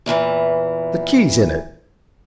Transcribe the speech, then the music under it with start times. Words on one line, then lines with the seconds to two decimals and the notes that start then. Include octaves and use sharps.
"The key's in it."
0.06 E2 A#2 D3 E3